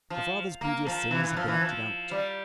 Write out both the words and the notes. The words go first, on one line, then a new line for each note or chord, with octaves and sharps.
The father's previous sins have been acted out.
F3
A#3
F3
E3
E3
F3
E3
F3
G3